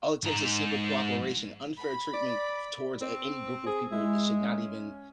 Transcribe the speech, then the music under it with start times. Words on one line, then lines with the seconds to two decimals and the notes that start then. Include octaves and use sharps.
All it takes is simple cooperation. Unfair treatment t towards a any group of people, it should not even
0.24 G#2 A#5
1.77 B5
2.14 D5
3.01 C4
3.67 G#4
3.92 G#3 E4
4.41 C#4